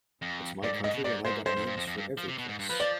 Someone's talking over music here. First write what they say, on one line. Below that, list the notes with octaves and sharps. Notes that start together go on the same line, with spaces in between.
It's my country and I got names for every place.
F2
G2 D5
G#2
G#2 D#5
B2
G#2 D5
G#2 C5
G2 C5
F2
G2
F2
F2
G2
F3
C3
B2
G#2
G2
F3 B4
D5